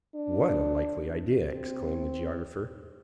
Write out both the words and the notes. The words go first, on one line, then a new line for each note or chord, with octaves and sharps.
"What a likely idea!" exclaimed the geographer.
D4
C4